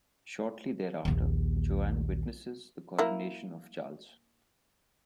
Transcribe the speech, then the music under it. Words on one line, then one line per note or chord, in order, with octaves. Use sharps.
Shortly thereafter, Joan witnesses the coronation of Charles.
A#1 D#2
A#3 E4